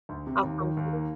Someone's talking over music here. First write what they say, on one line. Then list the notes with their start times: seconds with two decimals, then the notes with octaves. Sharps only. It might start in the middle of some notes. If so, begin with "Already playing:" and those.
I'll come to"
0.09 D2
0.27 C3
0.43 D#2
0.60 D#3
0.77 D#2
0.93 A#3